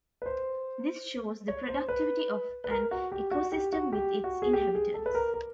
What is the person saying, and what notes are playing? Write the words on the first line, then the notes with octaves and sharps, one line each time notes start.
This shows the productivity of an ecosystem with its inhabitants.
B4
C5
C#5
C5
B4
B4
A#4
F#4
G4
F#4
G4
F#4
G4
F#4
G#4
G4
G#4
A4
B4
A#4
A#4